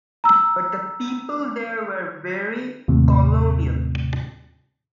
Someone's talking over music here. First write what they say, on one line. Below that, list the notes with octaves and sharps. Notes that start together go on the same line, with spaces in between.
But the people there were very colonial.
A#5 E6
D#2 A2 C3